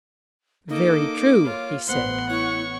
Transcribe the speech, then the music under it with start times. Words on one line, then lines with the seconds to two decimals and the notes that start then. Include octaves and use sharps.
Very true, he said.
0.69 A#3 D#4 A4 D#5 D6
1.45 F4 C#5
1.88 A1 B3 C5 F#5 C6
2.29 E4 C#5 C#6